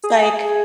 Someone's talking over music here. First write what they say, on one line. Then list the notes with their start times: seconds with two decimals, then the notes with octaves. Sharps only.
it's like
0.04 G#4